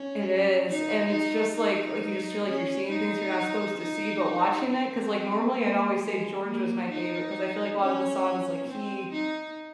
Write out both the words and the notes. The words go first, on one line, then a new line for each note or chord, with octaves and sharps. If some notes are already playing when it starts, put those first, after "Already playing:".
It is, and, it's just, like like, you just feel like you're seeing things you're not supposed to see, but watching it. 'Cause, like, normally I'd always say George was my favorite, 'cause I feel like a lot of the songs, like he,
Already playing: C#4
D#4
D#4
D#4
C#4
D#4
D#4
C4
A#3
G#3
A#3
D#4
C#4
C4
D#4